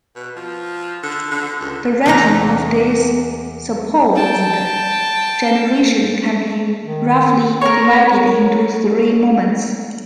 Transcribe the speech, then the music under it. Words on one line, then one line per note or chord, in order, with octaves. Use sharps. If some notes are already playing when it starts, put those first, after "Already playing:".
The writing of this supposed generation can be roughly divided into three moments.
B2
F3
D3
D3
C#2
E2 C3 D#4 A#5
G5 A5
D#3
A#4 C#5